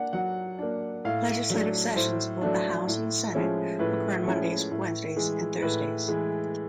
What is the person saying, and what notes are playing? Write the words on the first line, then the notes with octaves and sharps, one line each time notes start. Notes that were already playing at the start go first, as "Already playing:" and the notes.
Legislative sessions in both the House and Senate occur on Mondays, Wednesdays, and Thursdays.
Already playing: A#3 D4 F#5
F#3 F#5
A#3 D4
A2 F5
F#3 A3 D4
A2 C5
F#3 A3 D4
A2
F3 G#3 C#4 E4
A2 B4
F3 G#3 C#4 E4
A2
E3 G#3
A2 B4
E3 G#3